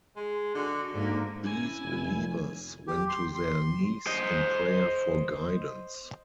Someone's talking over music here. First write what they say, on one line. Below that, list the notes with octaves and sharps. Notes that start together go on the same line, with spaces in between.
These believers went to their knees in prayer for guidance.
G#3
D3 F#4
G#2 D3 A#3
C#4 E4 G#5
F1
G4
C6
C6
C5 D#5